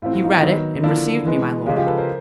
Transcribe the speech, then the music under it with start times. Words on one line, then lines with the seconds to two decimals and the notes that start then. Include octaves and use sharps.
"He read it, and received me, my lord."
0.02 A2 E3 A3 C4 F4
0.13 F#4
0.24 D#4 F4
0.43 D#3 F#3 B3
0.84 D3 F3 A#3 D4 E4
1.25 E3 G#3 B3
1.66 C#3 F3 G#3 F4 G4
1.77 F4 G4
1.87 A4 B4
1.98 A#4 C5